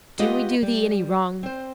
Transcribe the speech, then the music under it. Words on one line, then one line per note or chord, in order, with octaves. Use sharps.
Do we do thee any wrong?
G#3 B3 F4 G4 B4 D#5
G3
C4 C5